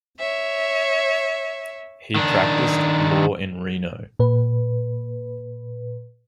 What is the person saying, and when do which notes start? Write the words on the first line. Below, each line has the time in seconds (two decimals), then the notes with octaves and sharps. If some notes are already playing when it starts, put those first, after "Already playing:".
He practiced law in Reno.
0.19 C#5 E5
2.16 D#3 D4
4.19 A#2 B4